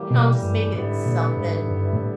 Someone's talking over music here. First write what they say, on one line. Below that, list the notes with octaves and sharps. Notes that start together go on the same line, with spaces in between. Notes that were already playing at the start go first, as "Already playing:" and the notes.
you know, just make it something.
Already playing: A2 E3 G3 A#3
B2
G2
G#2 D3 G3 B3 E4
A#2
G#2
G2
A2